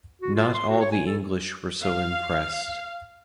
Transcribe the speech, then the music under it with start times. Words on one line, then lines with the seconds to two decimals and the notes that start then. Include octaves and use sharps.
Not all the English were so impressed.
0.22 F#4
0.35 F4
0.54 C6
0.69 F#4
0.81 C#5
0.92 G#5
1.07 A4
1.82 F5